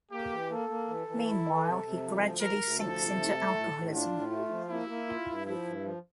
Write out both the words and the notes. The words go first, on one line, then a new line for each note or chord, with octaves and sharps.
Meanwhile, he gradually sinks into alcoholism.
A#3 G4
E3
A#3 A4
A#3
E3
E3
E4
E3
C3
C3
F3
D2
D2 A#4
D2
F3 A4
C3
A3
A3
A2
A2
D4 F4
A2
A3
F3
A#3 E4
A#3
F4
G2
F3 E4
G2
F3